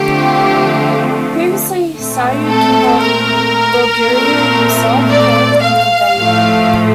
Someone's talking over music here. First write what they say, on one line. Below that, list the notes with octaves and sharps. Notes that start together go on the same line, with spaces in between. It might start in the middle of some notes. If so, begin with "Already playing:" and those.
Previously, Sayu, king of Goguryeo, himself came and invaded.
Already playing: D3 F3 A3 C4 G4
A#2 A3 C4
A4
A#4
A#2 A3 C4
D5
F5
A2 F3 A3